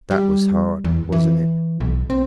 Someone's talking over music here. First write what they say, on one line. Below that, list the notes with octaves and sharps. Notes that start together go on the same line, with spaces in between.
That was hard, wasn't it?
G3
E2
E3
B1
C4